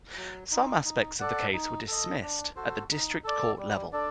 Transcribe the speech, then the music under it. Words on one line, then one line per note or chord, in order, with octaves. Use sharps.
Some aspects of the case were dismissed at the District Court level.
F#3
C4 D#4
D#4
A4 D5 F#5
D#4
A4 D#5
D4
F#4 A4 C5
D#4
A4 D5
G3
D4 A4 D5